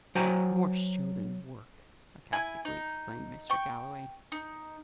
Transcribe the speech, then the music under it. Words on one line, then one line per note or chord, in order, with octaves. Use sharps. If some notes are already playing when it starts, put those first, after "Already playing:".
"More show than work!" sarcastically exclaimed Mr. Galloway.
F#3 F#4 C5 G5 G#5 A#5
E4 G#5
D#4
G5 C#6
D#4